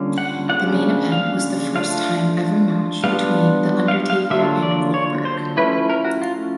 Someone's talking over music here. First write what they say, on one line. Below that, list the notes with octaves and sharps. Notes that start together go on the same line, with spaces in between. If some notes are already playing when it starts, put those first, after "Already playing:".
The main event was the first time ever match between The Undertaker and Goldberg.
Already playing: D3 G3 A#3 C#4 F4
F#5
C#3 F3 A#3 D4 F4 F#5
F5
F3 A3 D4 F4 F5
G3 B3 D4 F4 F5
F5
F5
D3 F#3 A#3 D4 F4 E5
D5
C#5
C5
F3 A3 C#4 E4 B4
B4
A#4
F#4
F4